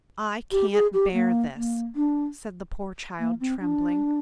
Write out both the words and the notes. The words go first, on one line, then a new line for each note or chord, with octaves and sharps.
"I can't bear this!" said the poor child, trembling.
G4
G#4
G4
A#3
A#3
D4
A#3
C4
D4